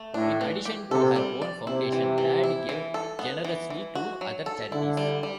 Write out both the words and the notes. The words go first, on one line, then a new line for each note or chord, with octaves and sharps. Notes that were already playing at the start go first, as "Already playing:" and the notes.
In addition to her own foundation, Ladd gave generously to other charities.
Already playing: A3
A2 D4
E3
G4
C3 A4
G3
D5
C3 E4
E3
E3
E4
E3
A4
B3
E3
E3
F#4
F#3
A4
D3 E4
G3
G3